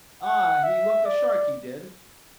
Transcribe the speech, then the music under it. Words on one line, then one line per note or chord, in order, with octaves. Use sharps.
Ah, he looked a shark, he did!
F#5
E5
D5